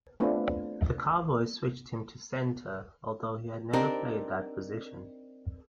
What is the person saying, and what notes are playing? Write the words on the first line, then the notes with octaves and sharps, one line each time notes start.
The Cowboys switched him to center, although he had never played that position.
A3 B3 C4 D4 F4 B4
C4 D4 D#4 G4 A#4 C5